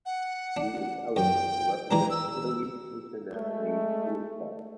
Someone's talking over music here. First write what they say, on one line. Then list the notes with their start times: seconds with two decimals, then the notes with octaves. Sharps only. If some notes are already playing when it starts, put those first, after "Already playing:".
He is eligible to represent Italy internationally through his father.
0.06 F#5
0.57 D4
1.16 F#2 G5
1.91 E3 G#3 D4 A#5
2.11 E6
3.36 G#3 A3